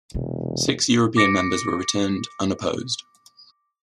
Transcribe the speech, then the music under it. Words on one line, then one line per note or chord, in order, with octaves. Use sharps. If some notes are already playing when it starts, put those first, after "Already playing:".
Six European members were returned unopposed.
E1 C3
D6 A#6 C#7 D7